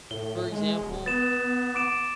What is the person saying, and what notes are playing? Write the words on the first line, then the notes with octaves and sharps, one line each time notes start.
for example,
A2 G7
G#3
D1
B3 A6 E7
D6 D7 E7